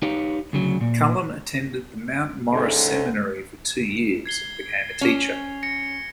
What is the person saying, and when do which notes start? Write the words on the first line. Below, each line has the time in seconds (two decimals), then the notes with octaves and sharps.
Cullom attended the Mount Morris Seminary for two years and became a teacher.
0.02 D#4 G4 B4 C#5 F5
0.53 D2 C#3 F#3
0.81 A#2
2.52 D2 G#2 C#3 A4
4.26 G#6 C7 G7
5.01 C#4
5.63 A#6 C#7